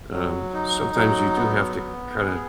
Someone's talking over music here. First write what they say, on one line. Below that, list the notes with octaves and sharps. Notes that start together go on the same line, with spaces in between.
um, sometimes you do have to kinda
F#3
D#4
F#3
B3
B3
G#4